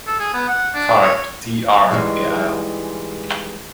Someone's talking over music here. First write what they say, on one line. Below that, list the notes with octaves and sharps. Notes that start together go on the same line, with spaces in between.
Karp D. R. et al.
A4
G#4
B3
F#5
D4
C#5
G#2 D3 E3 G3 G#3